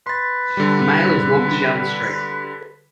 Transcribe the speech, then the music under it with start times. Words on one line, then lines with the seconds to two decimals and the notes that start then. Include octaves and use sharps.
A male is walking down the street.
0.07 B4 C6 A6
0.57 D3 G3